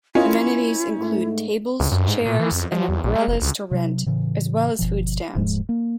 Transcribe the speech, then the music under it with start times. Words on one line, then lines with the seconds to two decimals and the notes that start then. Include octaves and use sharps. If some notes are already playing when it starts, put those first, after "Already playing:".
Amenities include tables, chairs and umbrellas to rent, as well as food stands.
0.15 C#4 E4 F4 A#4 D#5
0.98 G#2 A3
1.80 C#2
1.92 F#2
2.08 G#2
2.25 A#2
2.39 E3
2.52 F2
2.72 F3
2.88 E2
3.04 A#1
3.16 G#3
3.28 F1
3.42 C#2
3.71 C3 F#3
4.06 A2 C#3 E3
4.79 G1 B2 F3
5.35 D#1 G#2 F3 G#3
5.69 A#3